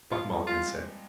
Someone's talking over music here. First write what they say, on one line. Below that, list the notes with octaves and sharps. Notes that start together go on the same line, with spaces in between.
Buck Mulligan said.
F3 G#3 F4
G3 A#3
G#3 C4 F4
G#3 C4